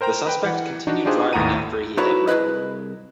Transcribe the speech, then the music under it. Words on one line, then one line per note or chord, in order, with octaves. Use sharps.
The suspect continued driving after he hit Rick.
A#4 C5 G5 A#5
B4 G5
E3 F#5
D4 D#4 F#4
D4 D#4 F4 G4 G#4 C5
G#1 D#2 A2 F#5 A#5 D#7
D#4 E4 F#4 B4 C#5 D5
C2 E4 G#4 B4 D#5